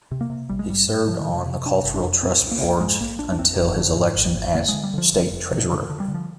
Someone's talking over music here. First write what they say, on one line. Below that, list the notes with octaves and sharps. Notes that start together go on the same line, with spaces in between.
He served on the Cultural Trust's board until his election as State Treasurer.
C3
A#3
C3
A#1 G3
G#3
G#2 G3
G#2
C3 F3
D#3
C3
F3
C3
C3 D4
G1
D4
F2
A#2 C4
C2
A#3
C2
G#2 G#3
A#1 A#3
A#1 D4
D4
F2 C4
G1
D3
G#2
G#1
G#1
D3 A#3
D3 G#3
G3
D3 F3
F1
F1
C3
D3
D3
G3
D3
F3